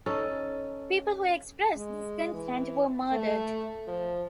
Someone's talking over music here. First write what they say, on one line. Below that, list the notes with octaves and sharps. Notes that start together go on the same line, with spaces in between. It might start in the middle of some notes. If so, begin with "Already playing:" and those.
People who expressed discontent were murdered.
C#4 D#4 A4
G#3
E3
A3
F3